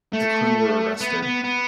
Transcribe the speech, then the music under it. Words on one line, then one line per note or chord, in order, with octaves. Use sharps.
The crew were arrested.
A3
B3
B3
B3